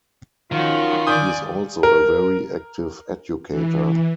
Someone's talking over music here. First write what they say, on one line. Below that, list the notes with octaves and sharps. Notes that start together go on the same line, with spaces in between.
He is also a very active educator.
D#3 F3 C#4 F4 F#4
D5 G#5 D#6 G6
A#4
E3